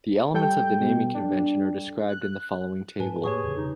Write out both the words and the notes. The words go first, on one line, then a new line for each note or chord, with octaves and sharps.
The elements of the naming convention are described in the following table.
G3 A4 G5 G6
B2
D4
F#6
G#2 B4 G#5 A5
A2 A#3 G4 G#4 C#5 C#6
E2 C#3
E1 C#3 D#4